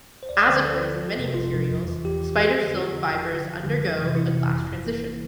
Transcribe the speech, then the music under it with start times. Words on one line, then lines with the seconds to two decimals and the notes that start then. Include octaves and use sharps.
As occurs in many materials, spider silk fibers undergo a glass transition.
0.23 C5
0.29 D2 D5
0.47 D3 F3 C5
0.64 D2 A4
0.82 D3 F3
1.00 G1
1.17 F2 C3 F3
1.34 G1 F4
1.53 F2 C3 F3
1.70 E2
1.88 E3
2.05 E2 G4
2.22 E3
2.40 F2
2.58 D3 F3
2.75 F2 F4
2.93 D3 F3
3.11 G1
3.28 F2 D3 F3
3.46 G1
3.63 F2 D3 F3
3.80 F2
3.98 C3 E3
4.15 F2 E4
4.33 C3 E3
4.51 G1
4.69 G2 E3
4.86 G1 A#3
5.06 E3